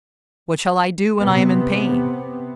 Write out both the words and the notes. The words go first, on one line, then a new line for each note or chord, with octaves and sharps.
What shall I do when I am in pain?
C3 B3